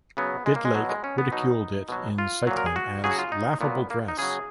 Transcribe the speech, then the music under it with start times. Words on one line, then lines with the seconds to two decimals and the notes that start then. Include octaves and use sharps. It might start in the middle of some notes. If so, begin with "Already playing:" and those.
Bidlake ridiculed it in Cycling as Laughable Dress.
0.17 C#3 F#3 B3
0.46 G#3
0.56 A#3
0.65 G#3
0.74 B2 F#3
0.89 G#3
1.04 C#4
1.18 B3
1.32 B2 F#3 D#4
1.89 B2 F#3
2.18 F4
2.47 A#2 F#3
2.57 A#4
2.66 G#4
2.76 F#4
3.04 C#3 F#3 G#4
3.11 F#4
3.19 F4
3.32 D#4
3.61 A#2 F#3 B3
3.90 A#3
4.08 D#4
4.19 C#3 F#3 G#4